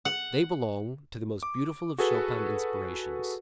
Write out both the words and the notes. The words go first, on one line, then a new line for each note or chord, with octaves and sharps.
They belong to the most beautiful of Chopin inspirations.
F#5
D6
F#4 G#4 A4 B4